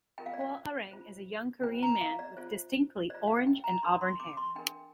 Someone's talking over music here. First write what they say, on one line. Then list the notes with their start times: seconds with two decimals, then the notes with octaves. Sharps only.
Hwoarang is a young Korean man with distinctly orange and auburn hair.
0.18 F4 A#4 G5
0.26 F5
0.34 D5
0.41 F5
0.91 F4 C5
1.63 F4 G5
1.69 C5
1.83 A#5
2.01 F5
2.19 D5
2.37 F4 C5
3.10 F4 C5 D5
3.27 F5
3.47 G5
3.64 A#5
3.83 D4 A#4 C6
4.01 C6
4.20 D6
4.37 C6
4.55 D4 A#4 G5